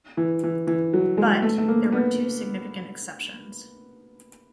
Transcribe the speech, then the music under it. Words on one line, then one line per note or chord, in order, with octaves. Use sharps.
But, there were two significant exceptions.
E3
E3
E3
F#3
G#3
A3
A3
A#3
B3